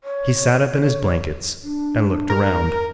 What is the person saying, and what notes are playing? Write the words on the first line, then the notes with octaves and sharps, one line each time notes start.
He sat up in his blankets and looked around.
C#5
D4
A#4